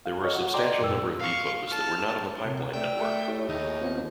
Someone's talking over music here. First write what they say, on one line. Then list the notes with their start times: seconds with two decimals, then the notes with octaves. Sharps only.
There were a substantial number of depots that were not on the pipeline network.
0.06 F5
0.24 A4 C#5 D#5 C#6 F6
0.36 F#4 F#5
0.54 D5 D#5 G5 A#5 C6 D6
0.81 F#2 A#2 A#4 E6
1.19 F5 C#6
1.67 A5 F6
2.45 F#2 C3
2.73 G3 A3 G5 E6
3.00 A3
3.28 A2 E4 G4 C#5
3.49 D#2 D#4 G4 G#4 A#5
3.81 B3 C4 F4